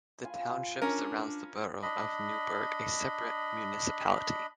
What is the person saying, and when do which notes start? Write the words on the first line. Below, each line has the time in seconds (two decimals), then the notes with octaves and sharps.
The township surrounds the borough of Newburg, a separate municipality.
0.24 F4 B4 G#5
0.82 C#4 D4 A#4
1.82 D4 D#5 B5